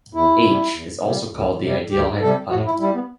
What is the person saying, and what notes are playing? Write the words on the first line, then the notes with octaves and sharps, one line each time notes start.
"H" is also called the ideal hyperplane.
E2 E4
C3 G3
E2
C3
G3
D2
C3 G3
D2 G4
C3 G3 A4
A2 F#4
E4
G3 E4
B3